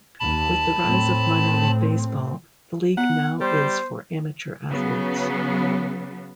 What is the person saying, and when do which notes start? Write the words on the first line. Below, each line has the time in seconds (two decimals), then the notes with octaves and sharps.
With the rise of Minor League Baseball, the league now is for amateur athletes.
0.20 D#2 A5 B5
0.81 A2 C4
2.97 B3 F#5
3.41 G3 C5
4.70 C#3 F#3 B3